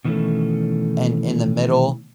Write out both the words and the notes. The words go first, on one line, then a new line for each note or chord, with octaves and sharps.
in in the middle,
B2 D#3 E3 G#3 A3 C#4